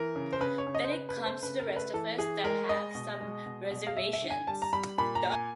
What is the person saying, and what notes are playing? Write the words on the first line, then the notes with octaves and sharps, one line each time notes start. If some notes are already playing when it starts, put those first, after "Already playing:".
Then it comes to the rest of us that have had some reservations.
Already playing: E3 A#4
C#3
C5
C#3 B4
C#5
C#3
D#5
C5
C#3 B4
B4
A3
C5
C#3 B4
A#4
A3
B4
E3 A4
E3 G#4
G#3 A#4
G#3 D#5
B2
G#3
B2
B2
F5
G3 E5
E5
D3
G#5
G3 A5
A#5
G3 B5
A#2 B5
A#5
A#3
G#5